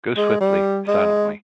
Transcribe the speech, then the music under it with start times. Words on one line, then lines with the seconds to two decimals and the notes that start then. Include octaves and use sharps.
Go swiftly, silently.
0.17 G#3
0.40 G3
0.88 G#3